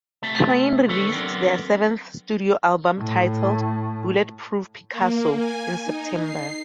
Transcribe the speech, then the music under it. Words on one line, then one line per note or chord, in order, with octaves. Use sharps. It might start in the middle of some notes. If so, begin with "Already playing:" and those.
Train released their seventh studio album titled "Bulletproof Picasso" in September.
C3 A3 E5 A5
D#3 C#4 A4 B4 C#5
D3 F#3 B3 C4 A#4 D5
A2
A#3
G#5
D#4
C7